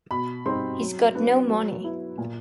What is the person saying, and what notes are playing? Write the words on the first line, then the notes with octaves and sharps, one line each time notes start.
He’s got no money.
B2 B5
G3 C4 D#4 C6
F#3
B3 D4
F#3
B3 E4
A#2